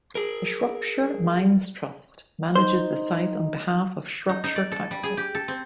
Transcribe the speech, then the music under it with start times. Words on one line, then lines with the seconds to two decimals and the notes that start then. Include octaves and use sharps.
The Shropshire Mines Trust manages the site on behalf of Shropshire Council.
0.15 G#4 A#4
2.56 D#4 C5
4.29 D#4
4.44 D#4
4.56 D5
4.72 A4
4.91 G3
5.03 G#4
5.17 G4
5.35 A4
5.48 C4